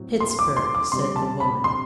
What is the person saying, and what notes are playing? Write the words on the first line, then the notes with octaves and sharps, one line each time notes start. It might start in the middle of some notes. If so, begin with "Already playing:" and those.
"Pittsburg," said the woman.
Already playing: A2 F#3 C4
C6
D6
C6
D6
C3 G3 C4 C6
A5
B5
C6